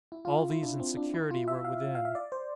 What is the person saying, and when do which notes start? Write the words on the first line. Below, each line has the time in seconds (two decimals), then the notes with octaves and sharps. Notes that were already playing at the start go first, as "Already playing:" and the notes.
All these and security were within.
0.12 E4
0.25 F4
0.37 F4
0.50 E4
0.63 D4
0.80 C4
0.97 D4
1.14 E4
1.31 F4
1.48 E5
1.65 F5
1.95 F5
2.05 E5
2.15 D5
2.32 C5